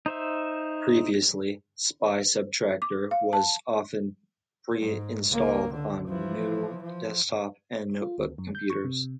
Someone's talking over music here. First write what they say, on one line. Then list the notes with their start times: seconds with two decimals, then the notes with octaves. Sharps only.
Previously, SpySubtracter was often pre-installed on new desktop and notebook computers.
0.06 D#4 C5 E5
2.82 D6
3.11 F5
3.33 A5
4.80 G#2
5.28 C#2 A#3
5.74 D3
6.08 E3 F3
6.83 F3
8.02 F4
8.18 D2
8.38 F#2
8.55 G6
8.70 C#6
8.84 C3